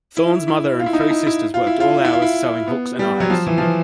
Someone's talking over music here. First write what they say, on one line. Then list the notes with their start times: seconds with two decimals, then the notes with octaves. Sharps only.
Thorne's mother and three sisters worked all hours sewing hooks and eyes.
0.17 E4
0.48 E4
0.79 F4
0.86 E4
0.93 D#4
1.01 E4
1.11 D#4
1.27 E4
1.54 F4
1.67 E4
1.80 F4
2.05 E4
2.13 F4
2.22 E4
2.68 B3
2.99 G3
3.20 F#3
3.30 F3
3.47 E3
3.58 F3
3.62 E3